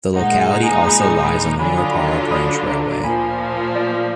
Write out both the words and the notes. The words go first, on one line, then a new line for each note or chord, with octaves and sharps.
The locality also lies on the Murupara Branch railway.
A#2 G#3 D#4 F#5 A#5
G#5
A#5
G#5 B5
A#5 D6
B5 D#6
A#5 D6
D3 F#3 D4 F4 G#5 B5
B5 D#6
A#5 B5 D6
A#5 D6
B5 D#6
A#5 D6
A#5
A#2 F3 A#3 G#5 B5
D5